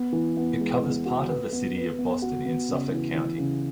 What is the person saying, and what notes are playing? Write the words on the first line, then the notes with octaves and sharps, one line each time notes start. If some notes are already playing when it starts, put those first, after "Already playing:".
It covers part of the city of Boston in Suffolk County.
Already playing: B3
E3
B3
G#3
B3
F#4
B4
B3
B4
B3
F#4
B3
C#3
E3
E3
C#3